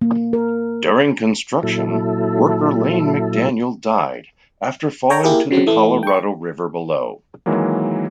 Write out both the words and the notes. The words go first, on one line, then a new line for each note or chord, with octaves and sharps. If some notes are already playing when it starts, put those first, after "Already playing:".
During construction, worker Lane McDaniel died after falling to the Colorado River below.
A#3
A#4
A#2 F#3 E4 A4
A4 C#5 G5 A#5
A#3 E4 G4 G#4 A#4
C#3 F#3 C4
E3 A3
G5 C#6
D#3 E3 F#3 G#3 A#3